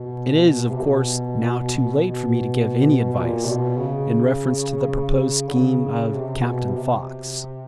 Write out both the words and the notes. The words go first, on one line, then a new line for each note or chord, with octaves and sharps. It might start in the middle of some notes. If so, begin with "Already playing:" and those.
It is, of course, now too late for me to give any advice in reference to the proposed scheme of Captain Fox.
Already playing: B2
C3
B2
B2
B2
A#2
C3
B2
C#3
D3
C#3
C3
B2
C3